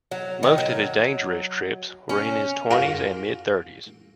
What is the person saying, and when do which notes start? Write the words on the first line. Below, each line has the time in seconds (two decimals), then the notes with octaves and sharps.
Most of his dangerous trips were in his twenties and mid thirties.
0.11 F#3
0.43 D#3
0.58 F#3
2.09 C#4
2.71 F4 F#4 A#4